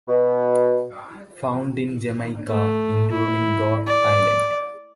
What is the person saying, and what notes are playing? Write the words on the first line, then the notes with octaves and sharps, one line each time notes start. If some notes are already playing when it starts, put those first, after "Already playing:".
Found in Jamaica, including Goat Island.
B2
A3
E4
D5